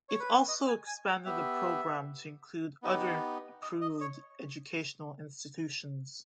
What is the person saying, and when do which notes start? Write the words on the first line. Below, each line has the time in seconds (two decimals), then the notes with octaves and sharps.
It also expanded the program to include other approved educational institutions.
0.09 C#5
0.20 B4
0.31 C#5
0.48 D#5
0.68 G#5
0.87 G#5
1.07 G5
1.26 B3 G4 E5
2.83 B3 D#4 G4
3.62 D#5
3.81 D#5
4.01 C#5